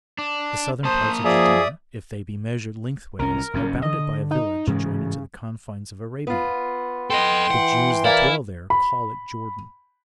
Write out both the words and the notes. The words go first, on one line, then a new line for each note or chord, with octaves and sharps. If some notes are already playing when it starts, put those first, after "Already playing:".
The southern parts of Judea, if they be measured lengthways, are bounded by a Village adjoining to the confines of Arabia; the Jews that dwell there call it Jordan.
D4
A#3 C5 A5 D#6
F3 G#4 D5 E5 D#6
C2 F3 C#4 A#4
F#1 G2 C#4
D3 D#5
D#4
G#2 C#3 E3 G#3
B3 F4
A4 D#5 G5 C6
E3 F#5
E4 A#4 D5 F5 G5 G#5
B5